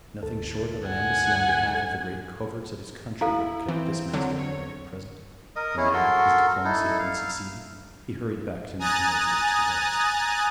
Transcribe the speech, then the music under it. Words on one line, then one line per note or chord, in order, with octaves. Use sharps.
Nothing short of an embassy on behalf of the great coverts of his country would have kept this master away at present; and now, his diplomacy having succeeded, he hurried back to make the most of its results.
D2 A4
F#5 G#5
E4 A4 F5 A#5
E3 C4
D3 F#3
C#5
A#4 D#5 D#6
C#4 E4 G#4 C#5
F#4 A4 A#4 C6
D#4 E4 A4
F5
G#5 A#5 D#6 F#6 A6